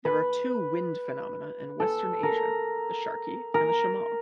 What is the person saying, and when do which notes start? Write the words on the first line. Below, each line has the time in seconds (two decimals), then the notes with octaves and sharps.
There are two wind phenomena in Western Asia: the "sharqi" and the "shamal".
0.05 B4
1.80 A4
2.23 A#4
3.54 A#4